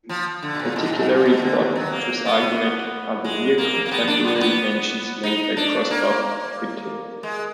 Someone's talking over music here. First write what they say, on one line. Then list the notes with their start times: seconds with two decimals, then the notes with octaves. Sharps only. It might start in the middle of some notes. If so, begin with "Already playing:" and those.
Particularly important to his argument are the near-contemporary mentions made by Prosper of Aquitaine.
0.09 F3
0.43 D3
0.55 B2
0.59 A#2
0.76 B2
0.92 G#2
1.09 A#2
1.26 B2
1.42 D3
1.59 D#3
1.76 F#3
1.92 A#3
2.25 B3
3.24 G#3
3.58 A#3
3.86 A#3
3.91 B3
4.08 D4
4.24 B3
4.36 A#3
4.41 B3
5.23 D#4
5.57 D4
5.90 A#3
7.23 G#3